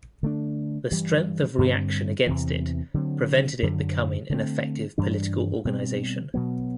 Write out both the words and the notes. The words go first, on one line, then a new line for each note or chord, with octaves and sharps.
The strength of reaction against it prevented it becoming an effective political organisation.
D3 A3 D4
G2 E3 G3
G2 D3 G3 C4
E2 C3 E3
D3 F#3 C4
F#2 D3 F#3
D3 A3 C4
G2 E3 G3 D4
B2 G3 C4
B2 F#3 B3